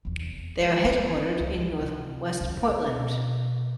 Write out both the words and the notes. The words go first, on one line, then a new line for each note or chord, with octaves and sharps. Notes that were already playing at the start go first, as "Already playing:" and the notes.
They are headquartered in Northwest Portland.
F1 E2
G#3
D#3 C4
C#2
C3
C#2 D3
B2